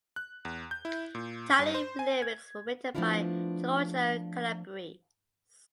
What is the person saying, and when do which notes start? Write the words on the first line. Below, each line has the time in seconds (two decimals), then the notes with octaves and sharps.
Italian lyrics were written by Giorgio Calabrese.
0.16 F#6
0.45 E2
0.71 G6
0.85 E4
1.15 A#2
1.59 G2
1.74 C5
1.99 G#5
2.22 G#6
2.95 F3 A3 B3 D4 E4 F4